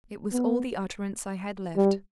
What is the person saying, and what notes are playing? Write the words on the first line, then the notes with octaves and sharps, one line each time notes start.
It was all the utterance I had left.
B3
G3